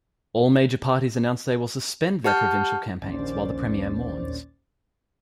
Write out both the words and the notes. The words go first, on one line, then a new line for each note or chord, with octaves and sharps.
All major parties announce they will suspend their provincial campaigns while the premier mourns.
G4 F#5 A5 F6 G6
A#1 D#2 C#4 C5 D5 A6